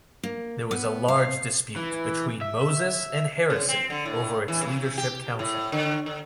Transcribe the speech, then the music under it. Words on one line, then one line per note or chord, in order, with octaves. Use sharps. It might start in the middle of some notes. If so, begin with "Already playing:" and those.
There was a large dispute between Moses and Harrison over its leadership council.
A#3
B3
F5
E3
E5
C#3
C4
D3
A2
E3
C3
G4
A2
D3
D3